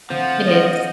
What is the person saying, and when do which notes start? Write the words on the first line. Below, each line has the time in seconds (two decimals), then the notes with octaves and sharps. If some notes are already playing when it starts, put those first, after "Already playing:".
It is.
0.10 D3 F3 C4 C5 F#5
0.43 D#5